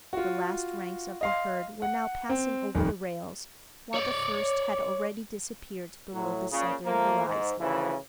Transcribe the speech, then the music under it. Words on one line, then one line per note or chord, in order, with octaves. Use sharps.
The last ranks of the herd were now passing over the rails, while the first had already disappeared below the southern horizon.
F4 F#4
D#5 F5 C6
F#5
C4
D#1 F2 D#3
C#5 D5
A2 F#3
A#2 C#3
F3 A3 A#3
G#2
D2 C#3 E3 F3 E4